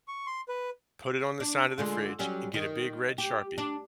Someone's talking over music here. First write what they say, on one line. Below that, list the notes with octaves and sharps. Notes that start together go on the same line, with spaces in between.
put it on the side of the fridge and get a big red Sharpie,
C#6
C6
B4
D4
D3 G#3 F4
F#3 G3 C#4
D#3
G4
D4